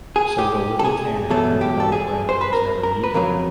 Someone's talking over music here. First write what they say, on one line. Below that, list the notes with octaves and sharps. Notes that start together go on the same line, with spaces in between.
So the little cannon mounted on the verandah was never 'needed.
G#4
G4
A4
G#4
E2 B2 F#3 A3 A4
G4
A4
G#4
C5
B4
A#4
A#4
B4
F2 C#3 F#3 A#4